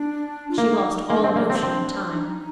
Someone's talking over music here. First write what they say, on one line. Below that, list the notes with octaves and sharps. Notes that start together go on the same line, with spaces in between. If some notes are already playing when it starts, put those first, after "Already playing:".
She lost all notion of time.
Already playing: D4
F4
A#3 D#4
A#3 D#4
D4
C4
A#3 D4
C4
C4
D#4